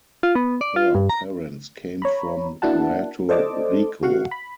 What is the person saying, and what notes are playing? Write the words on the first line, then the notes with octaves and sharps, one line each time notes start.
Her parents came from Puerto Rico.
F4
B3
D5
F4
G2
A#5
C#5 A#5 B5
A#3 D4 E4 F#4 F#5 A5
A4 C5 D5 D#5 A5 D6
F#4 F5 F#5
B5